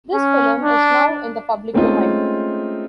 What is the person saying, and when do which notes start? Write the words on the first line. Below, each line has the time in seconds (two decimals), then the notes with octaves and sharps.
This film is now in the public domain.
0.14 C#4
0.62 D4
1.74 G#3 A3 C4 C#4 D#4 F4